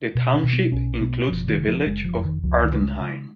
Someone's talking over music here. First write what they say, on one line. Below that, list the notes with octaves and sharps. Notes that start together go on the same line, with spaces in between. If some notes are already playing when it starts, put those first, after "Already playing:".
The township includes the village of Ardenheim.
B2
C#4
B2
B3
B1 C#4
B2 B3
F#1 F3
D#3
C#3
F3
F#1 G#3
F3
F2
D#3
C#2 F3
D#3
C#3
G#3
C#3